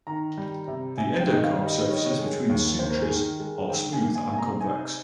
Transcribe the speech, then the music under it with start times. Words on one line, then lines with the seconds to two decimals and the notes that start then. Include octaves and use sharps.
The endocarp surfaces between the sutures are smooth and convex.
0.07 D#3 A#5
0.38 G3
0.68 C3
0.98 C3 G#5
1.20 G5
1.29 D#3 D#5
1.44 F5
1.58 G3
1.66 D#5
1.88 D#3 C#5
1.97 D#5
2.06 C#5
2.19 G#3
2.49 D#2
2.79 D#2 C5
2.91 A#4
3.02 G#4
3.09 D#3 A#4
3.40 G#3
3.69 D#3 G5
3.93 G#5
4.00 A#3
4.15 G#5
4.30 C3 G#5
4.38 A#5
4.61 D#4 G#5